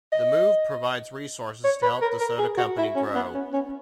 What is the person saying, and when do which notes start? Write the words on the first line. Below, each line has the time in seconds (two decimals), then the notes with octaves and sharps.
The move provides resources to help the soda company grow.
0.12 D#5
1.64 C#5
1.82 B4
2.02 A#4
2.20 A#4
2.39 G#4
2.58 F#4
2.78 E4
2.96 C#4
3.15 B3
3.34 C#4
3.53 C#4